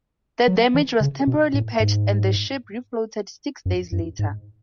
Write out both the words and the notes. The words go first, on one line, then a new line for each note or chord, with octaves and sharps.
The damage was temporarily patched and the ship refloated six days later.
F#3
E3
C#3
B2
A2
G#2
F#2
F#2
G#2